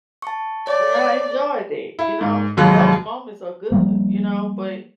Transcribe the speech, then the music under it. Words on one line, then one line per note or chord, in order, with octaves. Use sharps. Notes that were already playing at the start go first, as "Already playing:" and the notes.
And I enjoyed it, you know? Those moments are good, you know? But,
A5 C#6
C#5 D5
E4
G#2
F1 D#2 F#3 G#3 F#6
F3 G3 A#3